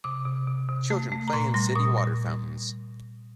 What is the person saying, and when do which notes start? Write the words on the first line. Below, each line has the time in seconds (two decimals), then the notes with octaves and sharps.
Children play in city water fountains.
0.04 C3 D6
0.25 C3
0.47 C3
0.69 C3
0.91 A3
1.12 A3
1.28 A#5
1.33 A#2 C6
1.54 G3 C6
1.75 A#2 D#6
1.97 G3